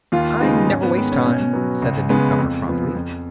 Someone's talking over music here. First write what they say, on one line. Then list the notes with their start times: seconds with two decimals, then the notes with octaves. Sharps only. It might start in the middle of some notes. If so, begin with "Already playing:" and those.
"I never waste time," said the newcomer, promptly.
0.12 D#2 F4
0.41 C#3 G#3 B3 D#4
0.69 G#2 C#4
0.83 B3
0.97 D#3 G#3 B3
1.12 C#4
1.26 B2 C#4
1.53 F#3 B3
1.82 C#2
2.10 C#3 G#3 B3
2.38 F2
2.67 F3 B3
2.95 F2